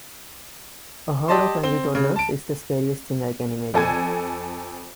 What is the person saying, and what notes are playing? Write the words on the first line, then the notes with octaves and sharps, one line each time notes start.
A horde of angry toddlers is the scariest thing I can imagine.
G4 D5 D#5 A5 C6
C4 G7
C#3
A5 D7
F2 A4 G#5 G#6